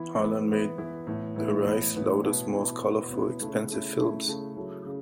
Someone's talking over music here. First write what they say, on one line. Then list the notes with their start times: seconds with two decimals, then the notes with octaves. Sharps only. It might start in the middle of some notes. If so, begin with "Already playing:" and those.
Harlan made the Reich's loudest, most colorful and expensive films.
Already playing: E3 B3 E4
0.19 E3 B3 E4
0.49 E3 B3 E4
0.78 E3 B3 E4
1.07 A2 E3 B3 E4
1.36 A2 E3 B3 E4
1.65 A2 E3 B3 E4
1.95 A2 E3 B3 E4
2.24 B2 B3 E4
2.52 B2 B3 E4
2.82 B2 B3 E4
3.11 B2 B3 E4
3.40 C#3 A3 C#4 E4
3.69 C#3 A3 C#4 E4
3.98 C#3 A3 C#4 E4
4.28 C#3 A3 C#4 E4
4.56 C#3 F#3 A3 E4
4.85 C#3